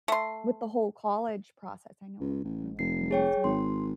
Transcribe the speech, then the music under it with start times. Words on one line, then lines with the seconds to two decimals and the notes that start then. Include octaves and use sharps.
with the whole college process, I know, we're, like, ending soon.
0.08 A3 C6
2.20 C#2
2.44 A1
2.79 F1 C7
3.11 G#4 C#5 G5
3.44 G#1 C6